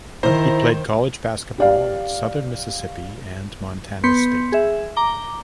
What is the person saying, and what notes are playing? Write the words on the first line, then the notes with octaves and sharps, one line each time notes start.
He played college basketball at Southern Mississippi and Montana State.
D#3 E4 C5 A#5
G4 D5 F5
B3 C6 G6 B6 C#7
G#4 E5
A#5 D6 G7